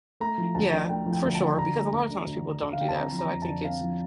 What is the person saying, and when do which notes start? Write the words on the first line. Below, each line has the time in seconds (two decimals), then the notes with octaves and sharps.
Yeah, for sure, because a lotta times people don't do that, so, I think it's
0.20 A3 A#5
0.38 F3
0.55 D2 A5
0.72 D3
0.89 A3 G5
1.06 F3
1.13 G5
1.24 D2
1.35 A5
1.41 D3
1.58 D2 A#5
1.75 A3
1.93 D2
2.10 D3
2.26 D2
2.44 A3
2.61 D2
2.73 F5
2.78 D3 G5
2.88 A5
2.95 C4 A#5
3.12 F3
3.19 A#5
3.30 F2
3.42 A5
3.48 D3
3.64 C4 F5
3.81 F3